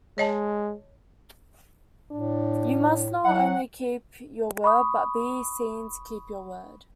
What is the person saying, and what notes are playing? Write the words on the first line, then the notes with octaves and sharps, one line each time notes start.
You must not only keep your word but be seen to keep your word.
G#3 C#5 D#5 A5
A2 D4
F#3 E4 F#5
B5 C#6 D#6